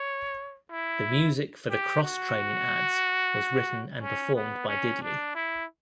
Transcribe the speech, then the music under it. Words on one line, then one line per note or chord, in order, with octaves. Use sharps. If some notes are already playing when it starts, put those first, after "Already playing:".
The music for the "Cross Training" ads was written and performed by Diddley.
Already playing: C#5
E4
G4
F#4
C#4
B3
C#4
D4
E4